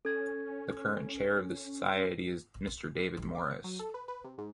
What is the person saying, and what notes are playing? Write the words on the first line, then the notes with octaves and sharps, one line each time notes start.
The current chair of the society is Mr David Morriss.
C#4 A4 G#6
B1
D6
C#7
F#3
A4
B4
B4
C3
G#2